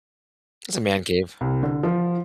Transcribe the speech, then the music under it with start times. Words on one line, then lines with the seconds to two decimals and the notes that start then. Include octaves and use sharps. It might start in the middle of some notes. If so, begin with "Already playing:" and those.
It's a man cave.
1.41 C2
1.63 D3
1.83 F3